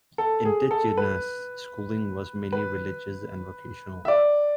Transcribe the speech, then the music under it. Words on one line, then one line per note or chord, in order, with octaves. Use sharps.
Indigenous schooling was mainly religious and vocational.
A4
G#4
A4
B4
B4
E5
D5